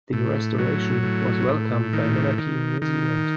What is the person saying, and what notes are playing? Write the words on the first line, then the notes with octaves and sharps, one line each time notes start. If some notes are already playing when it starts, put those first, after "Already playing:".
The restoration was welcomed by Monarchy New Zealand.
A2
F#3
A2
A2
D#3
D#3
D#3